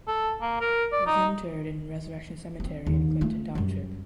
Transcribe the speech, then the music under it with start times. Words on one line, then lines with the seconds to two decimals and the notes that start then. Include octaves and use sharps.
He was interred in Resurrection Cemetery in Clinton Township.
0.08 A4
0.41 A#3
0.61 A#4
0.92 D5
1.06 D#4
2.60 B3 C4
2.87 D#2
3.21 A3 F4
3.55 F#2 G3